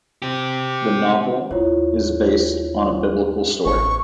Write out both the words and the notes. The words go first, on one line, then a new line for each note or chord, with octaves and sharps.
The novel is based on a Biblical story.
C4 G4
D#2 F#3 E4 F4 C#5
A1 C#6